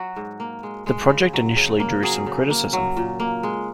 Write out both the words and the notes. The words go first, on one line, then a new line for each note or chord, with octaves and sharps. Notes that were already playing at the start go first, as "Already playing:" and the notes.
The project initially drew some criticism.
Already playing: F#3 F#4
G#2
A#3
G#3
G#3
C#3
F#3
C#3
A#3
F#3 G#4
C#3
A#3
F#3
A#2
A#3
G#3